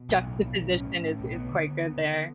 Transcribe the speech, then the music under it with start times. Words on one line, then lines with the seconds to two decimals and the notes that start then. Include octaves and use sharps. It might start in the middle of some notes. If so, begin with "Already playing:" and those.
juxtaposition is is quite good there.
Already playing: B2
0.09 B1
0.25 A2
0.41 B1
0.56 B1
0.71 A2 C#4
0.87 A2
1.03 A2
1.19 B1
1.34 D2 B3
1.51 D3
1.66 D2
1.81 D2
1.97 D3
2.13 D3